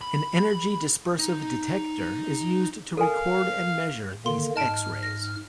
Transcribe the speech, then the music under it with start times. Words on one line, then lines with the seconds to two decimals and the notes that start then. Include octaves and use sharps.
An energy dispersive detector is used to record and measure these X-rays.
0.02 B5
1.19 D#4
2.97 A4 A#4 F5 G#5
4.26 D3 D#3 A#3 C6
4.56 G#2 D#5 A5 F6 D7
5.03 A#6